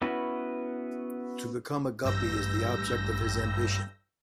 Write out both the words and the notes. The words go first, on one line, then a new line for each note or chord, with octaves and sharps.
To become a Guppy is the object of his ambition.
B3 C#4 E4 F#4 B4
A1 G2 E6 G6 A#6